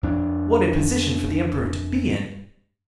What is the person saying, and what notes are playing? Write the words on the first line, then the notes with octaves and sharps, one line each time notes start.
What a position for the Emperor to be in!
F2 D4